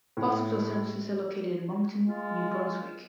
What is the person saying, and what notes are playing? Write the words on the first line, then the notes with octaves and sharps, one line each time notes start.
Hospital services are located in Moncton, New Brunswick.
A2
G#3 F4